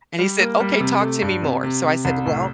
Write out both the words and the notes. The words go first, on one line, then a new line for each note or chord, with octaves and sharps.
and he said, "Okay, talk to me more," so I said, "Well,"
G3
A#3
G3
C3
A3
G2
C3
C3
C3
C2
A2